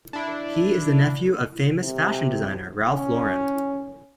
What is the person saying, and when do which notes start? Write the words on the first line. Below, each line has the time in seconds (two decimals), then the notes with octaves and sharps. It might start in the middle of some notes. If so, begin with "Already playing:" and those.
He is the nephew of famous fashion designer, Ralph Lauren.
0.13 D4 E4
1.82 C3
2.90 C#4